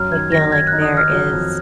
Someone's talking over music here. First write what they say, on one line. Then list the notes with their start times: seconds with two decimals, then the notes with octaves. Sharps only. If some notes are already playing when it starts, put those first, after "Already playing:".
I feel like there is,
Already playing: F#2 F6
0.11 D#3 G#6
0.32 D#3 A#6
0.52 D#4 G#6
0.67 F#6
0.72 D#4
0.82 D#6
0.92 D#3
0.97 F6
1.13 F#3
1.33 F2